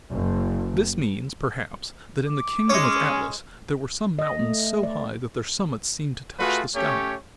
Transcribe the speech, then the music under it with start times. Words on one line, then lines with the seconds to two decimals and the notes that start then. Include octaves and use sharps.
This means, perhaps, that in the kingdom of Atlas there were some mountains so high that their summits seemed to touch the sky.
0.12 F#1
2.28 D6
2.70 G#3 C#4 C#5 D#5
4.19 D#5
4.39 A3
4.83 D5
6.39 A3 F4 F#4 G#4 B4
6.75 A3 C#4 G4 C#5